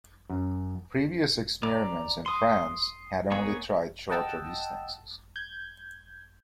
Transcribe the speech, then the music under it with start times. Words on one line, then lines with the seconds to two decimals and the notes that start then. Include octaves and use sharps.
Previous experiments in France had only tried shorter distances.
0.30 F#2
1.63 D5 A#5 D6
2.26 C6 D#6
3.31 A#3 B3 G#4 C#5 C#6
4.09 D#5 F#5 G5 A5 E6
5.36 G6 G#6